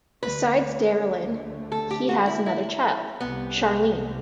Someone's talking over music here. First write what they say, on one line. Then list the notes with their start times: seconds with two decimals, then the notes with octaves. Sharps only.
Besides Darylynn, he has another child, Charlene.
0.23 D2 D3 A3 B4
1.72 A4
1.91 G4
2.09 F#4
2.27 E4
2.46 E4
3.21 C2 C3 G3 B3